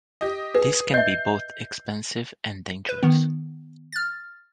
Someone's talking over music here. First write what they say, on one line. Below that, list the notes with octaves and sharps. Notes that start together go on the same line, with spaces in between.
This can be both expensive and dangerous.
G4 D#5
G#4 B4
D#5 E5 G6 C7
B4
D#3 B3
F6 A6